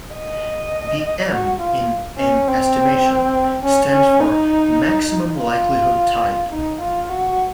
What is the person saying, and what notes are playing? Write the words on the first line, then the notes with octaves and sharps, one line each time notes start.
The M in M-estimation stands for "maximum likelihood type".
D#5
F#4
F4
C#4
C4
C#4
C#4
D#4
F4
D#4
F4
F#4